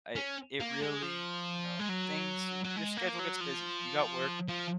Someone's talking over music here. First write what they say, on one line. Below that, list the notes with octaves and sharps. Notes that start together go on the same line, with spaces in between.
I it really you know, things your schedule gets busy. You got work,
C#4
A#3
G#3
F3
G#3
F#3
F#3
G#3
A#3
F#3
F3
F3